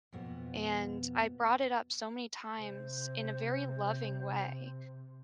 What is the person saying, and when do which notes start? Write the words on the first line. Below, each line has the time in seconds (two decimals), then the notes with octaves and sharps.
and I brought it up so many times in a very loving way,
0.12 F2 B2 B3
2.58 C3 C5